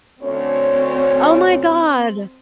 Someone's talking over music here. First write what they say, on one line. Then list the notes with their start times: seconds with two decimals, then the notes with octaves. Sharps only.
Oh, my god. E
0.23 D2 C4 C#4 C#5